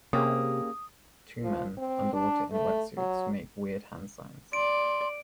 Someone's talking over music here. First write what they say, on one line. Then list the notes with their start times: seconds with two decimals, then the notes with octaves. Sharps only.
Two men, underwater in wetsuits make weird hand signs.
0.13 C3 A#3 C#4 G4 G#4 D#6
1.43 F3
1.77 C4
2.13 D4
2.51 A3
2.97 F#3
4.53 D5 C6 D7